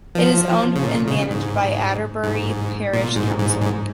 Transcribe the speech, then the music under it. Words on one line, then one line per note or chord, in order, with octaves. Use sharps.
It is owned and managed by Adderbury Parish Council.
F3
C#3
A#2
C#3
G#2
G#2
A#2
G#2
G#2
G#2